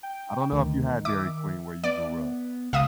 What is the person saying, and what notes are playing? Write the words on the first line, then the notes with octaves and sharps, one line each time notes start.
I don't know if you had Dairy Queen where you grew up.
G5
D2 D#3
E5 D6
B3 D5
C#2 E5 F5 D#6